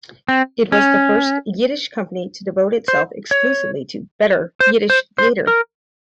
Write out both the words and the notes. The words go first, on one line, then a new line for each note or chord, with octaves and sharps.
It was the first Yiddish company to devote itself exclusively to "better" Yiddish theater.
C4
C#4
C5
C#5
C5
C5
C5
A#4